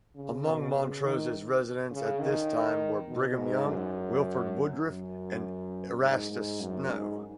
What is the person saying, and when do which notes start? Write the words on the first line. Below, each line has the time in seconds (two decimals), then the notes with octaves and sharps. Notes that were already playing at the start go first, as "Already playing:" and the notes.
Among Montrose's residents at this time were Brigham Young, Wilford Woodruff and Erastus Snow.
0.16 C#3
0.45 B2
0.74 C#3
1.03 D#3
1.91 C#3
2.21 D#3
3.08 B2
3.38 G#2
3.67 F#2
4.85 F#2
6.01 G#2
6.31 G#2
6.60 F#2
6.89 G#2